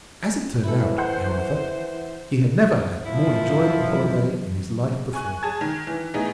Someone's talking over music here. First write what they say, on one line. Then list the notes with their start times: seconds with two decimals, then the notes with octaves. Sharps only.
As it turned out, however, he had never had a more enjoyable holiday in his life before.
0.64 E3 E4 A4
0.98 C5 F#5 C6 G6
3.05 F#2 D#3 F3 E4
3.83 E3 F#3
5.13 G#5 C#6 F#6
5.43 G#4 A5 G#6
5.61 D#3
5.87 E3
6.14 A2 B3 D#4 G#4